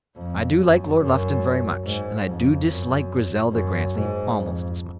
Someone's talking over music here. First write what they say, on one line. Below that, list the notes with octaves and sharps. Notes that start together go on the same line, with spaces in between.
I do like Lord Lufton very much; and I do dislike Griselda Grantly almost as much.
F2
F#2
F#2
G#2
F2
F#2
F#2
G#2
F2